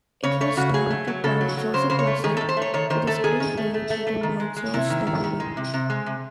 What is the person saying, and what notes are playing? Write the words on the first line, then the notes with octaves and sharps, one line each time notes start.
It was directed by Joseph Losey, with a screenplay written by George Tabori.
C#3 C#5
A3 C#5
C#3 F#4
F#3 G#4
A3
F#3
C#3 A4
F#3
F#3
C#3 C5
C#3 C5
C#5
A3
D#3 G#4
A4
D#3
C5
A3 C#5
D#3 C#5
D#3 C5
A3 A4
D#3 G#4
D#3
A3
A3
A3
A3
D#3
G#3
G#3
C3 E4
D#3
D#3
D#3
G#3
C3
C3
G#3
C3